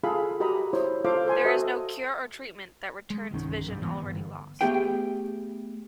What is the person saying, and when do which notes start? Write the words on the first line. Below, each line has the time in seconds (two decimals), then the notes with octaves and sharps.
There is no cure or treatment that returns vision already lost.
0.04 F4 G#4 A4 F5 G5 B5
0.40 F#4 G4 A#4 D#5 A#5 B5
0.73 E4 C5 C#5
1.05 F4 A4 C5 F5 D6
1.26 A4 C5 G#5 C6
1.45 F#4 A4 D#5 E5
3.10 G#3
3.31 G1 C2 D#3 C#4
3.66 G#1 G2 C3 G3
3.81 G#2 E3 A#3 B3
4.02 G1
4.61 A3 B3 G4 G#4 G5